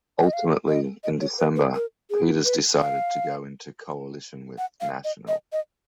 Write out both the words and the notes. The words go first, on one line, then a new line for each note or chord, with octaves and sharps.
Ultimately, in December, Peters decided to go into coalition with National.
D#5
F5
D#5
D#5
C#5
B4
B4
A#4
G#4
B4
F5
F#5
F5
D#5
D#5
D#5